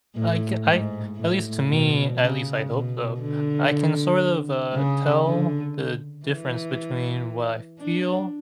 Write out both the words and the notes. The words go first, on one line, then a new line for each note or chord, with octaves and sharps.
I c I at least to me at least I hope so, I can sort of, uh, tell the difference between what I feel,
A2
G#2
A2
B2
C#3
B2
D3
C#3
D3
E3
D4